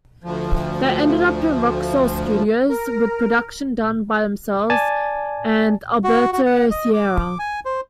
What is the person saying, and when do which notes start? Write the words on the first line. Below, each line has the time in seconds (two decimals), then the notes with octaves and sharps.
They ended up in Rocksoul Studios, with production done by themselves and Alberto Seara.
0.24 D2 F3
2.69 A#4
4.70 D5 G#5 A5 A6
6.04 F#4
6.33 F#4
6.46 F#5
6.71 D#5
6.93 D6
7.39 G#5
7.65 C5